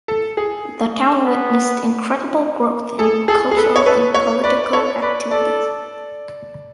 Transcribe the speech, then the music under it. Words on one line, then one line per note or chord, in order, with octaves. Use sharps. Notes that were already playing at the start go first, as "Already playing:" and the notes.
The town witnessed incredible growth in cultural and political activities.
A4
G#4
B3
G#4 A4
G#4 A4
G#4
A4 B4
C#5
A4 B4
C#5
B4 D5
D5
A4 C#5
B4 D5
A4 D5